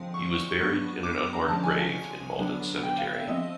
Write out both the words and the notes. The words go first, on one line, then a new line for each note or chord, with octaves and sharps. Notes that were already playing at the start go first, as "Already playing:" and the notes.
He was buried in an unmarked grave in Maldon cemetery.
Already playing: D3 F3 G#3 C4
C#6
F#3 B3 D4
D6
D6
A#5
D3 F3 G#3 C#4 A5
G#5
G#5
D3 F#3 B3 D4
G5
F5
E5
F3 G#3 C4 D#5